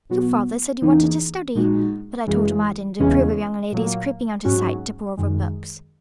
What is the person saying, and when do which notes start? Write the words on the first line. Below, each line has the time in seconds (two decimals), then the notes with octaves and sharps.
Your father said you wanted to study, but I told him I didn't approve of young ladies creeping out of sight to pore over books.
0.09 B2 F#3 B3 F#4
0.82 E2 C#3 E3 A#3 D#4
1.55 A#1 A#2 G#3 D#4 F#4
2.27 F#2 C#3 E3 G#3
2.99 E2 C#3 E3 G#3 C#4
3.72 A#2 F#3 A#3
4.44 G#2 F#3 C#4 F#4
5.17 F#2 D#3 G#3